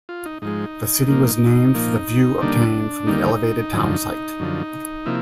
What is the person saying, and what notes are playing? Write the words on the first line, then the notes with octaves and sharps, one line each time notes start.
The city was named for the view obtained from the elevated town site.
F4
D#4
G#2 F3 G#3 D#4
A#2 F3 A#3
A#2 F3 A#3
D#2 D3 G3 A#3 D4
D#2 D3 G3 A#3 D#4
F#2 D3 F3
F#2 D3 F3
C3 F3 A#3 E4